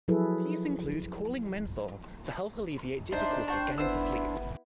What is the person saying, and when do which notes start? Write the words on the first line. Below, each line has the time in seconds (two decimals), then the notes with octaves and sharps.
These include cooling menthol to help alleviate difficulty getting to sleep.
0.08 F3 F#3 E4 G#4 A4 B4
3.12 D4 D#4 C5 E5
3.48 C5 G5 A5 C#6
3.78 B3 E4 C5 E6